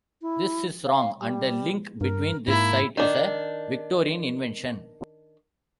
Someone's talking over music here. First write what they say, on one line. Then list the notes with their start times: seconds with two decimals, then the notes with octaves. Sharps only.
This is wrong and the link between this site is a Victorian invention.
0.22 E4
0.86 F5
1.20 G3
2.01 G2 A#4
2.48 G#2 A#3 E4
2.97 D#3 D4